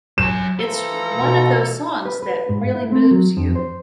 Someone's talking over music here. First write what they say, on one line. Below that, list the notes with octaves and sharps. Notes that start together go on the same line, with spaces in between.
It's one of those songs that really moves you.
F#3 G#5 E7
E3 F3 A4 A#5
B2
B4
B4
G#2
F5
E4
C4
F#3
F2
C5